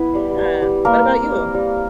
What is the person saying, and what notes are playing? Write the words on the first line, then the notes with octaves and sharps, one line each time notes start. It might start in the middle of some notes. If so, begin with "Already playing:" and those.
Yeah, what about you?
Already playing: B3 E4 B4
G3
G3
G3
G3 A#3 A#4
C4
G3
G3